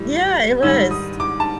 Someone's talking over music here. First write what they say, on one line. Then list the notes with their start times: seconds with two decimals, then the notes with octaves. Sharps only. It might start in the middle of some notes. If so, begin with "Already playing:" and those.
Yeah, it was.
Already playing: A2 E3 G3
0.62 G#2 D#3 G3 E6
0.91 D#6
1.20 D6
1.40 A5